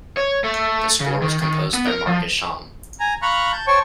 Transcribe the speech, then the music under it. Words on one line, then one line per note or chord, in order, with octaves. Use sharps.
The score was composed by Mark Isham.
C#5
A3
C#3
D#3
D#3
B3
A#4
F3
G#5 A#5
F5 A#5 B5 C#6 F#6
A5 G6
C5 C#5 G5 A5 C#6